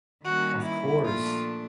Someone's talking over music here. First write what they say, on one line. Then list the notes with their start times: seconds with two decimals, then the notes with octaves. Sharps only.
Of course.
0.24 D#3 G3 A#3 C#4 F#4
0.63 E4
1.03 A#2 F3 A3 D4 F4